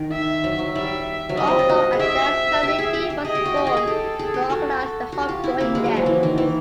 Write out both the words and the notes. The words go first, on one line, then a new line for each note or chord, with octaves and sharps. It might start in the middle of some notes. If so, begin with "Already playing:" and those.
Also, a dance committee was formed to organize the Homegoing Dance.
Already playing: D#3
E5
F#3
F#3
G3 E5
F#3
G3 D#5
C4
F4
F#4
G#4
G4 E5
G4
G#4
G4
G4
G#4 D#5
G4
F#4
G4
G#4
G#4
G4 A4
G#4
G4
F#4 A4
F#4 G4
F4
E4
A#3
G#3 F#4
F#3
F3
E3
D#3
E3